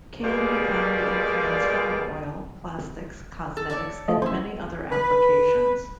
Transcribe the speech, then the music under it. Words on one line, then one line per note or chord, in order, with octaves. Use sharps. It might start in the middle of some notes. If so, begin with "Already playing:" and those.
Can be found in transformer oil, plastics, cosmetics, and many other applications.
B2 G3 G#3 A#3 F4 D5
A4
A4 C#5 D5
F3 A3 D#5
C#4 E4 C5
B4